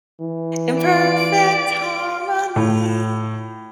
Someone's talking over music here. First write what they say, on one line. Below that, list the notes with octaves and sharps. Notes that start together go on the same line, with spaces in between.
in perfect harmony.
E3
D5 D7
A2